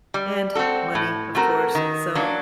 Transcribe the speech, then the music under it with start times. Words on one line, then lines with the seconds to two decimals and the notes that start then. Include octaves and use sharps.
and money, of course, so.
0.14 G3
0.55 C4 F#4 A4
0.95 A2
1.35 A3 C4 F#4 A#4
1.75 D#3
2.15 F#3 A#3 D4